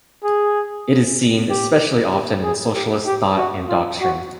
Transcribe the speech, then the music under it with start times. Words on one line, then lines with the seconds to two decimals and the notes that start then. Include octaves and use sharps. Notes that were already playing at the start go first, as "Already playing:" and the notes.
It is seen especially often in socialist thought and doctrine.
0.24 G#4
1.50 G4
2.12 G4
2.43 G#4
2.75 G4
3.06 G4
3.37 F#4
3.68 F4
4.00 F#4